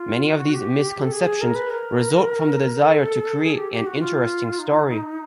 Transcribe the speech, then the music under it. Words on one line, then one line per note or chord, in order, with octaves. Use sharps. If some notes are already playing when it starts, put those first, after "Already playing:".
Many of these misconceptions result from the desire to create an interesting story.
Already playing: F4
F#4
G4
A4
G#4
A#4
B4
A#4
A4
G#4
G4
G4
F#4
E4
F4
D#4